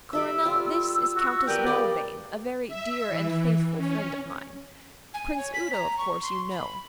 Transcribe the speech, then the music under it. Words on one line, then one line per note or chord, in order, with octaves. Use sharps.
Coronel, this is Countess Belvane, a very dear and faithful friend of mine. Prince Udo, of course, you know.
G3 A4 E5 E6
G3 F4
F#4
B3 G4 A#4 D5 G5
G3 A#3 G#4 D5 D#5 G5
E5
E3
C#4
G#5
C#5
B6
A#5
C#6
C6
B5